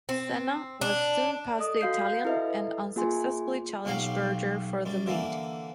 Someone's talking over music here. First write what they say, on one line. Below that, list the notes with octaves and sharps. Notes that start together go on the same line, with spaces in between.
Senna was soon past the Italian and unsuccessfully challenged Berger for the lead.
C4
D4
A4 D#5 D#6
F#4 F5 G6 C7
E4 A4 B4 D#5 E5
A#3 F4 G#4 G#5 C6
B1 F#3 G4 F5
F#2 G3
D3 E3 A#3